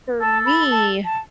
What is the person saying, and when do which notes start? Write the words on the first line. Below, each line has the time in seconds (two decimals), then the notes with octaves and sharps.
For me,
0.21 A4 A5
0.45 B5
0.71 A5
1.04 A5